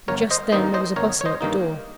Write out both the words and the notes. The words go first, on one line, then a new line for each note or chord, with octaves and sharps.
But just then there was a bustle at the door.
G1 A#4 C#5
C5 D#5
G2 D#3 A#3 D#4 C5 D#5
C5 D#5
G1 A#4 C#5
C#5
C5 D#5
G2 D#3 A#3 D#4